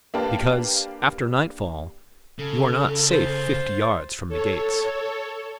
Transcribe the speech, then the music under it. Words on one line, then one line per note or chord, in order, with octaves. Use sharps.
"Because, after nightfall, you are not safe fifty yards from the gates."
A#3 D4 G4 B4 F5 A5
C#3 A4
F4 C5
A4 C#5